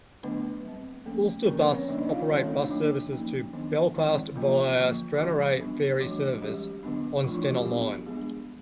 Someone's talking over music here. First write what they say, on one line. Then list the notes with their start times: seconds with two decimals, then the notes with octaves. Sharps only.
Ulsterbus operate bus services to Belfast via Stranraer Ferry service on Stena Line.
0.23 D3 F#3 A3 B3 D4 B4
0.65 G3 C4
1.06 F3 A3 A#3 C#4 A4
1.47 D3 F3 A#3 C#4 A#4
1.61 C4 C5
1.74 C#4 C#5
1.88 D3 G3 A#3 C#4 D4 D5
1.98 D#4 D#5
2.09 F4 F5
2.19 D4 D5
2.30 D#3 G3 C4 C#4 C#5
2.40 A3 A4
2.50 D#4
2.60 D4
2.71 F#3 A#3 D4
3.12 F3 A#3 C#4 D#4
3.53 D#3 F#3 B3 D4
3.94 D#3 E3 G#3 C4 E4
4.35 F3 F#3 A#3 C#4 F4
4.77 D3 F3 A#3
5.18 D3 F3 F#3 G#3 C#4 F#4
5.59 G3 B3 D4
6.00 E3 F#3 A3 D4 F#4
6.11 F#3 F#4
6.31 F#3 F#4
6.41 E3 G3 G#3 C#4 G4
6.83 D3 F#3 B3 D4
7.24 F3 A3 D4 F4
7.34 E3 E4
7.45 F#3 F#4
7.55 G3 G4
7.65 G3 B3 D4
8.06 G3 G#3 B3 D4 G#4